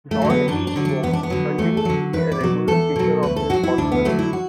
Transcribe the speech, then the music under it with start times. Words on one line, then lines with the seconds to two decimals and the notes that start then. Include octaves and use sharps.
"John E. Smoke" continues to be a regular feature of their concerts.
0.11 A3
0.22 D3 F#3
0.30 B3
0.48 F#2 D4
0.67 D4
0.76 D3 F#3
0.85 D4
1.03 E2 B3
1.13 D4
1.23 B3
1.30 D3 F#3
1.58 E2 A3
1.77 A4
1.85 D3 F#3
2.13 E2 B4
2.32 D5
2.40 B2 F#3
2.67 E2 A4
2.96 B2 F#3
3.23 D2 B4
3.36 A4
3.50 D3 F#4
3.53 F#3
3.63 E4
3.78 D2 D4
3.92 B3
4.05 D3 F#3 A3
4.19 E4
4.33 F#4